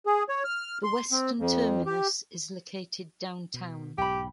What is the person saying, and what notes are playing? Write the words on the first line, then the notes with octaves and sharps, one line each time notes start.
The western terminus is located downtown.
G#4
C#5
F6
C6
C4
F2
G4
B2
B1 G#2 G4 G5 B5